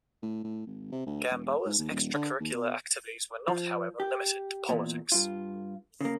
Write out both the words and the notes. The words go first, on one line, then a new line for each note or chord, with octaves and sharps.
Gamboa's extracurricular activities were not, however, limited to politics.
A2
A2
G#1
C3
D2
E1
G#2
D#2
D#1
D3
D#2
B2
F3
G4
E2 G2 A#2
G2 F4
C#3 A#3